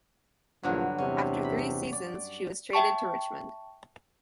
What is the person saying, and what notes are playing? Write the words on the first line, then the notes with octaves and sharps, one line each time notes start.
After three seasons she was traded to Richmond.
A#1 E2 G2 D3 F3 F#3
E2 C3 C#4 D4
B5
D5
E5 G5 A5 C#6